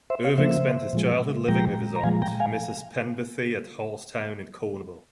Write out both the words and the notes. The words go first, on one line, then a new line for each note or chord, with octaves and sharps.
Irving spent his childhood living with his aunt, Mrs Penberthy, at Halsetown in Cornwall.
C5 E5
C#5 F5
C#3 F3 A#3 C5 E5
A#2 F3 G#3
A#2 F3 G#3 G5 A#5
A#5
A#2 F3 G#3 F5 G#5
G5 A#5
F5 G#5